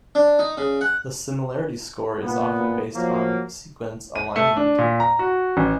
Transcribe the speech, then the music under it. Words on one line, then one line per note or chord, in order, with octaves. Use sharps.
The similarity score is often based on sequence alignment.
D4
D#4
C#3
F#5
A#2 B3
F3 F#3 A#3
D#7
A3
D4
A#2
A#5
F#4
A1